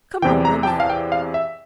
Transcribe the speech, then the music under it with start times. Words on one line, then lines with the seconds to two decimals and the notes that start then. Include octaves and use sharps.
Come home with me.
0.22 E2 C3 E3 G5
0.45 A#5
0.63 G5
0.67 A5
0.80 F5
0.90 G5
1.12 F5
1.34 E5